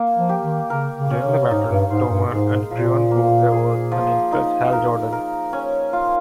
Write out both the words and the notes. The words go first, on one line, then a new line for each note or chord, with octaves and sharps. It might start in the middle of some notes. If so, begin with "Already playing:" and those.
During the battle Tomar and Kreon proved their worth and impressed Hal Jordan.
Already playing: A#3
F3
G4
D#3
C#3 A#4
C#3
C#4
C3
G#2 D#4
G2
G#2 C5
G2
G#2 G#3
A#2 F3
A#3
G#4
F3
D#4
A#4
A#4
C#4
F4